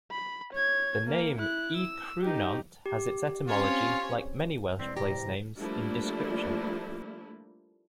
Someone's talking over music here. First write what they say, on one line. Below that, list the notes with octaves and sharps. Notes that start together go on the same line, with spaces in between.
The name Y Creunant has its etymology, like many Welsh place names, in description.
B5
C#5 G#6
A#3
E4 F#6
E6
D#4 G4
G4
C4 C#4 F4 C#5
E1 C4 D5 B6
A2 C3 G4 A#5 A#6
F3 G3 A3 A#3 D4 E4